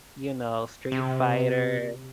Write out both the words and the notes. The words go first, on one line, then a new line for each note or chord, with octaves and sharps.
you know, Street Fighter,
C3